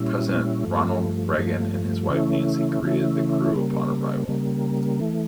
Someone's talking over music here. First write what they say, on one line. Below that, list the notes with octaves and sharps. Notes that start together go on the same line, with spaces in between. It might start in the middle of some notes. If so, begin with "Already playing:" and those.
President Ronald Reagan and his wife Nancy greeted the crew upon arrival.
Already playing: A#2 G3 C#4 E4
G2 F3 A3
G2 F3 A3
C#3 E3 A3 C#4 E4
C#3 E3 A3 C#4 E4
C#3 G3 A#3
C#3 G3 A#3
E3 A3